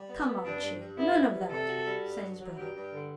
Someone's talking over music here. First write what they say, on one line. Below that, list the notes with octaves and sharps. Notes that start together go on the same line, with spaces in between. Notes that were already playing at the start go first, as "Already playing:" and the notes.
"Come, Archie, none of that," said his brother.
Already playing: G3
B3
B3
G2 D4
G2
G2
B3 E4
B3
G3
C3 A4
F#4
G3
G2
F#3
F#3
G2 G4
G2
D3